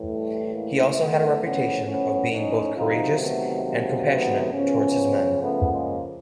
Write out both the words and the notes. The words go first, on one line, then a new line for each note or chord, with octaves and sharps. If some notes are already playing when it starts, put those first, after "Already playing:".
He also had a reputation of being both courageous and compassionate towards his men.
Already playing: A2 E3
G3 A3
G#3 A#3
A2 F3 A3 B3
B3 C#4
B3 C#4
C#4 D#4
C3 D#3 F#3 D#4 F4
A3 B3
G#3 A#3
A3 B3
C#3 F3 B3 C#4
A3 B3
G#3 A#3